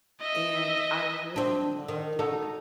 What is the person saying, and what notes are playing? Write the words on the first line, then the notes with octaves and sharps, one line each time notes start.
and I really love, like,
D#5 E5
C4 D4
D#3
D#4 F#4 A4